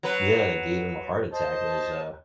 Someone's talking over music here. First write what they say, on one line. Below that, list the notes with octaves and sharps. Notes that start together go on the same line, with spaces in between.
yeah, it gave him a heart attack, it was, uh
F#3 B4
C5 D#5 A5